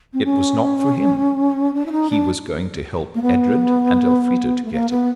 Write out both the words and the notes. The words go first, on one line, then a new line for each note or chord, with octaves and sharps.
It was not for him. He was going to help Edred and Elfrida to get it.
C4
C#4
D4
E4
D#4
D4
A#3
B3
A3
A#3
B3